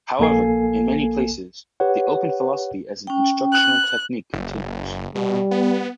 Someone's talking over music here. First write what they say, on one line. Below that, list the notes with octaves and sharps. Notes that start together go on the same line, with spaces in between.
However, in many places, the open philosophy as an instructional technique continues.
A#1 A#3 A4 G#5 C7
G4 B4 C#5 F#5
C#4 G5
F#6
F#1
B2 G3
B3